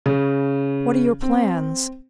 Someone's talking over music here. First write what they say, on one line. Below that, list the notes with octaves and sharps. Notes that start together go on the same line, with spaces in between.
What are your plans?
C#3
C4